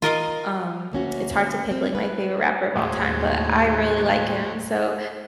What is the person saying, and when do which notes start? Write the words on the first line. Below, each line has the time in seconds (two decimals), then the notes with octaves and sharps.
Um, it's hard to pick, like, my favorite rapper of all time, but I really like him, so
0.02 F4 A#4 D#5 F5
0.92 D2 A#3 C#4 F#4
1.71 C4
1.95 B4
2.76 D#2 A2 F#3 G#3 C5 G#5